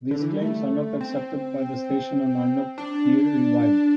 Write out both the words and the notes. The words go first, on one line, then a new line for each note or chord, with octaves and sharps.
These claims are not accepted by the station and are not peer reviewed.
D3
E3
G3
A3
C4
D4